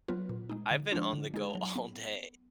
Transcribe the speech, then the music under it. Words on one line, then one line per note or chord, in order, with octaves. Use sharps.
I've been on the go all day,
F#3 B3 F4 B4
A#2
G#3 D#4
D3
F3 G#3 D4 F4
D3
G#3 D#4 G#4
F#3
B3